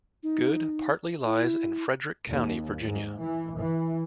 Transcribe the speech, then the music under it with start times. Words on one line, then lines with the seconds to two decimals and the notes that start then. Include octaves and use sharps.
Good partly lies in Frederick County, Virginia.
0.23 D#4
1.25 E4
2.30 D#2
2.81 G#2
3.20 E3
3.58 E3